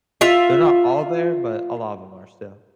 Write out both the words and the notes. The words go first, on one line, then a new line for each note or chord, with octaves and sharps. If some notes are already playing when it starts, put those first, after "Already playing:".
They’re not all there, but a lot of them are still.
F4 E5